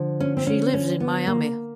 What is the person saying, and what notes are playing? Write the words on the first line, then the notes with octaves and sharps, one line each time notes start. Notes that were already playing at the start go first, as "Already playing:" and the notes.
She lives in Miami.
Already playing: D3 F3
C#4
C4
C#4
C#4
B3
A#3